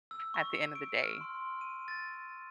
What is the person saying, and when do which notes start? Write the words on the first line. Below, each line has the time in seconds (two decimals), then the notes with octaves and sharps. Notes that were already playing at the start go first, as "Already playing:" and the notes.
at the end of the day.
0.11 E6
0.34 C#6
0.75 D7
1.03 F6
1.21 C6
1.61 D#7
1.88 A6